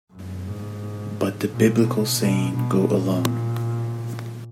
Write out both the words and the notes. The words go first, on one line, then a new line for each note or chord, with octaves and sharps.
But the Biblical saying Go alone!
F#2
G#2
A#2
B2
B2
B2
A#2